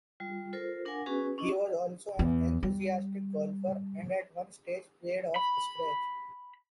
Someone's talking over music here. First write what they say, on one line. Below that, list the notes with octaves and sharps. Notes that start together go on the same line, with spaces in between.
He was also an enthusiastic golfer, and at one stage played off scratch.
G3 F4
F4 A4 A#4 C5
D4 A#4 F5 F#5 G#5
B3 C#4 F#4 G#4 B4 G#5
C#4 D4 E4 D#5
E2
G3
B5